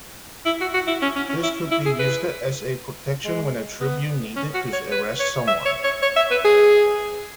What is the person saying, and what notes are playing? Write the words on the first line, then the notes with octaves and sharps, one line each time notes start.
This could be used as a protection when a tribune needed to arrest someone.
E4
F#4
F#4
E4
C#4
C#4
C#4
E4
E4
G#4
B4
G#3
B3
C#4
F#4
C#5
B4
C#5
E5
C#5
C#5
C#5
E5
B4
G#4